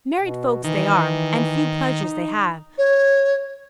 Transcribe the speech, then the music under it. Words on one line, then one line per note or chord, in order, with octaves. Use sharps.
Married folks they are; and few pleasures they have.
B2
D#3 E3
D#4
C#5